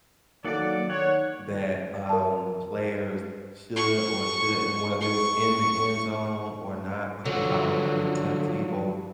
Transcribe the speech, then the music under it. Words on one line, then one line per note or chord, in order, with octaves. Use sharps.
that, um, players should or shouldn't, whether it's in the end zone or not, because I remember Tim Tebow
D#3 F#3 A#3 A4 D5 F#5
D#3 C#5 F#5
A#4 A5
C#6
C#6
D3 F3 F#3